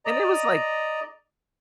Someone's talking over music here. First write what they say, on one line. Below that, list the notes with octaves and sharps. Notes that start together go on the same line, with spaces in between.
And it was like
D5 D#5 A#5